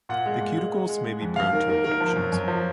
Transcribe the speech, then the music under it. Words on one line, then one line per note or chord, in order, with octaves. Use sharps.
The cuticles may be prone to infections.
A#2 F#5
G#3
A#2
G#3
G#3
G#3
G#3
F2
D#2 F5
D#3 A#4
A#3 A#4
D#3 A#4
F3
F#2
F#2
F3